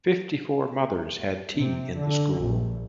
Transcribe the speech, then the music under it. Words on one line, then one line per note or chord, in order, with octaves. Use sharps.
Fifty-four mothers had tea in the school.
C3
D3
A#1